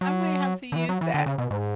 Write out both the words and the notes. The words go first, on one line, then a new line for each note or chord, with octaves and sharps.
I might have to use that.
F#3
D3
E3
F#3
E3
D3
C#3
B2
G#2